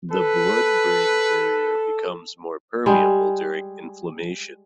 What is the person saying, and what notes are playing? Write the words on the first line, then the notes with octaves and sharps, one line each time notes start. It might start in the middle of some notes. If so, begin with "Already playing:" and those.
The blood-brain barrier becomes more permeable during inflammation.
A4 B4
G3 G#3